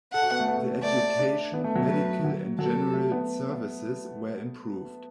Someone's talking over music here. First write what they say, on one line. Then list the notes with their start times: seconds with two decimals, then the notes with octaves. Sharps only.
The education, medical and general services were improved.
0.13 A4 F#5
0.22 F#4
0.31 B3
0.39 A3
0.48 B3
0.57 A3
0.83 A3 D5
1.19 D4
1.54 B3
1.64 A3
1.76 F#3
1.87 A3 B4
2.24 F#3
2.59 F#3 A4
2.94 A3
3.12 B3